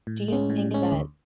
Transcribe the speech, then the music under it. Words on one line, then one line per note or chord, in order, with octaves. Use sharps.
Do you think that
A2
G#3 C#4
A2
G#3 C#4
D2